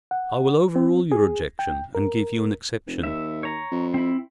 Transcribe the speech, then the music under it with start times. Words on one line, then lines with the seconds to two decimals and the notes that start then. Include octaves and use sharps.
I will overrule your objection, and give you an exception.
0.11 F#5
0.76 C4
1.12 G#4
1.59 G5
1.95 A#4
2.87 F1
3.03 D#2 E5
3.43 C#5 A#5
3.72 F2
3.94 C4 E4